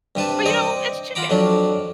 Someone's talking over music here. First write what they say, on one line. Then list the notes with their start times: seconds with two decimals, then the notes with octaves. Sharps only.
But, you know, it's chicken.
0.15 G2 C3 B4 A5
0.46 C4 D5 D#5
1.15 F4 F#5 A#5 B5 D6
1.30 F2 F#3 D4